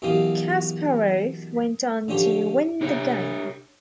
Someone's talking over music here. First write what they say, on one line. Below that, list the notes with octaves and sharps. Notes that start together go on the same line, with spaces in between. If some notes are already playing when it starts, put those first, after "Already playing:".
Kasparov went on to win the game.
F#2 B2 E3 G4 F5 D#6
D3 F3 C#4 G4
D4 G4 C#5